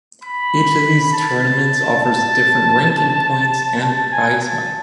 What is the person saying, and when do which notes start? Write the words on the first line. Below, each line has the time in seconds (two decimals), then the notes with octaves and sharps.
Each of these tournaments offers different ranking points and prize money.
0.24 B5
1.13 A5
2.04 A5
3.83 A5
4.12 G#5
4.43 A5